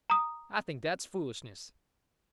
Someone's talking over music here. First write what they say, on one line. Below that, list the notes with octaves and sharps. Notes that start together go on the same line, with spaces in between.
I think that's foolishness.
A#5 D#6